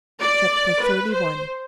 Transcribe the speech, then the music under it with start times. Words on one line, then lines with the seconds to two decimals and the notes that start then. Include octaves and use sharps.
Chapter XXXI.
0.20 D5
0.81 B4
1.14 C5